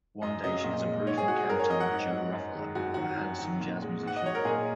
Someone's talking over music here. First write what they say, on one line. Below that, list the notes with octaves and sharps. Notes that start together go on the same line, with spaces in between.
One day, she has a brief encounter with Joe Ruffalo, a handsome jazz musician.
F#2 D#5
C#3 F#3 D#5
A#2
G#3
G#2 C#5
G#4
G#3 F#4
G#4
F#2 A#4
C#5
F#3 D#5
F#5
G#2
F#3
F#2
D#3 G#3
F#2 F#4
D#3 F#3 F#4
F#2
D#3 F#3
A#2
G#3
G#2 F#5
D#5
F#3 C#5
A#4
A#2 G#4